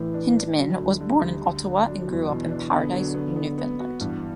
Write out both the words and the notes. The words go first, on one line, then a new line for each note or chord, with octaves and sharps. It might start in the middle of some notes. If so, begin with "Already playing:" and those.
Hyndman was born in Ottawa and grew up in Paradise, Newfoundland.
Already playing: A2 E3 D4
D4
D4
D3 F#3
D2
D3 G3
D2
D3
D3
F#3 D4
E2
B2 E3
D4
D3 B3
F#3
B3
B3
B3
F#4
G2 E3